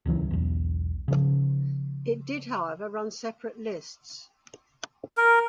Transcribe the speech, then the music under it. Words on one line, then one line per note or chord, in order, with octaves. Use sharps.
It did however run separate lists.
D1 C#2 E3 F#3
B1 E2
C#3 F3
A#4